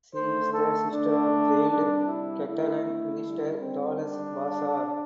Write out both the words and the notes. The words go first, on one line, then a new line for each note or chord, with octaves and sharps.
She is the sister of jailed Catalan minister Dolors Bassa.
D3 A3 C5
A4
D3 A3 D4
C3 G3 D4
E4
D3 A3 E4
D3 G3
C4
D3 G3 D4